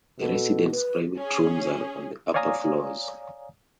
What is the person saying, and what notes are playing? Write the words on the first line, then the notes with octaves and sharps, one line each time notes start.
The residents' private rooms are on the upper floors.
B2 A4
B4
C#4 G#4
C#5 D5 F5 G#5 A#5 D#6